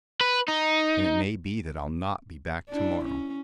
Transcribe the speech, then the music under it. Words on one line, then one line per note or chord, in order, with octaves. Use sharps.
"And it may be that I'll not be back to-morrow."
B4
D#4
D4 E4
C#4